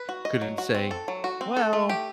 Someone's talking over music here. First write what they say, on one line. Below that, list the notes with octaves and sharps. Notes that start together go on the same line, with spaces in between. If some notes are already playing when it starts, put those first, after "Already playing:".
you couldn't say, "Well,
Already playing: B4
F#4
D#5
F#3
F#4
C4
A4
F#3
F#4
C4
A4
A3
G4